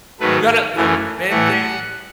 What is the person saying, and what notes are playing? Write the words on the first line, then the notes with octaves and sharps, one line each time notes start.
You gotta the main thing
G#2 D#3 F#3 A3 B4
F#2 E3 A3
A2 E3 A3 F#5